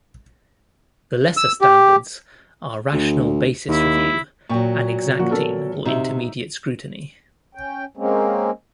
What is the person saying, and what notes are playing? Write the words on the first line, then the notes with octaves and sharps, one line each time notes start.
The lesser standards are rational basis review and exacting or intermediate scrutiny.
E6
G4
D2
D#2 E4
A#2 F#3 G5 C#6
F3 A#3 F#4
B3 A4 A#4
C3 D#4 F#4 E5
C#4 G5
G#3 A#3 C4 C#4